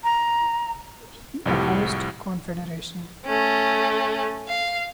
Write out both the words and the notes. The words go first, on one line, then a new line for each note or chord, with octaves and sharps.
He opposed confederation.
A#5
C2 F2 A2 G4
A3 C#4
F5